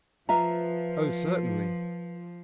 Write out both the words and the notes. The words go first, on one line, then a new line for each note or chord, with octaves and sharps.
"Oh, certainly."
F3 F4 B4 E5 A#5